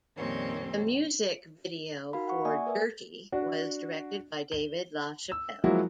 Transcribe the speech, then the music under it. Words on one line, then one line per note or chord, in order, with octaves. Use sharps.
The music video for "Dirrty" was directed by David LaChapelle.
F2 A#2 D#3 G3 C4 C#4
D#4 F#4 A#4 F5 B5
F#5 C#6
A#3 D5 E5 G#5 D#6
A#4 B4 E5 G#5
D4 F#4
G7
E6
F3 F#3 G#3 A#3 E4 F#4